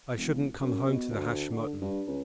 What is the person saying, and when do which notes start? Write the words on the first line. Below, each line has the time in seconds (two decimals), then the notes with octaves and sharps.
I shouldn't come home to the hashed mutton.
0.16 E1
0.61 F#2
0.87 B2
1.10 D2
1.52 D3
1.82 G2
2.07 C#2